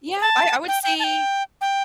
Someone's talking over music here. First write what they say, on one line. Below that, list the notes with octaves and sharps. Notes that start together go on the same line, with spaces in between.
Yeah, I I would say
A5
G5
G5
A5
G5
G5